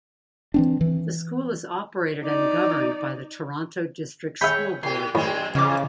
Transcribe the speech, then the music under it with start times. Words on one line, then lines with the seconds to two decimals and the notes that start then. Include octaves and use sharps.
The School is operated and governed by the Toronto District School Board.
0.54 E3 C4 D4
0.81 E3
2.24 D#4 D5
4.41 G#4 C#5 E5 G5 B5
4.83 A2 G4 C6
5.15 F#2 A2 G#3 C4
5.55 E2 C#3 F4 D6